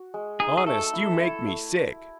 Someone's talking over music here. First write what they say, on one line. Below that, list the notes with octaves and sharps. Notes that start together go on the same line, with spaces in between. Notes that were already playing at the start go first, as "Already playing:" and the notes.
"Honest, you make me sick!"
Already playing: F#4
G#3
D#4 G#4
G#4
A3 A4
E4
E4
A3